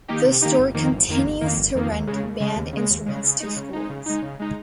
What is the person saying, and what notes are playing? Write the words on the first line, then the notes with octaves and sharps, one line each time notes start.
The store continues to rent band instruments to schools.
D#3 A#3 D#4 G4
C3
D#3 A#3 D#4 G4
G1
F2 D#3 A#3
G1
F2 D#3 A#3
G1
F2 D#3 A#3
G1
F2 D#3 A#3
D#2
C#3 G#3
D#2
C#3 G#3
D#2
C#3 G#3
D#2
C#3 G#3
C#3
G#3 D#4
C#3
G#3 D#4
C#3
G#3 D#4
C#3
G#3 D#4